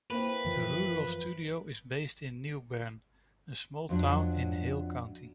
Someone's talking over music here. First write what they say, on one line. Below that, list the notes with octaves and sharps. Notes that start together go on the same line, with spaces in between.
The Rural Studio is based in Newbern, a small town in Hale County.
A#3 C4 E4 B4
F#2 E3 F3
F2 F#3 D4